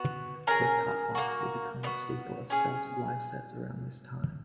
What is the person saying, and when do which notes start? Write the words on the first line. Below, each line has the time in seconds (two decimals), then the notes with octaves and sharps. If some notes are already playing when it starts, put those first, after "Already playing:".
"Flip-Top Box" would become a staple of Self's live sets around this time.
Already playing: B3 F#4
0.47 C#4 G#4 A#4 A#5
1.15 A#3 C#4 F#4
1.83 B3 D#4 F#4
2.50 C#4 G#4